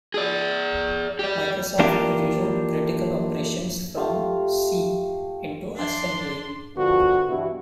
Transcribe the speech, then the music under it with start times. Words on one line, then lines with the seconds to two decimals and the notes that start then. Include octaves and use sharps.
Microsoft rewrote critical operations from C into assembly.
0.14 G#4 D5
1.19 G4 D5
1.79 E3 A#3 D4 F4 G4 A#4
3.96 A3 F4 G4 F5
5.77 D4 C6
6.77 G2 D3 F3 B3 F4 F#4
7.28 G2 B2 E3 E4 F#4